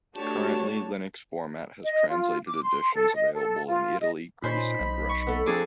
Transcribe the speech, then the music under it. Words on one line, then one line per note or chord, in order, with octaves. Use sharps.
Currently Linux Format has translated editions available in Italy, Greece and Russia.
A3 D4 F#4 G4 C#5 A5
D#5
F4
D6
C6
A4
D#5
A4
F4
D#5
A#2 C#4 D#4 C5 B5
B1
C#6
A3 B3
F2 D4 G#4 D6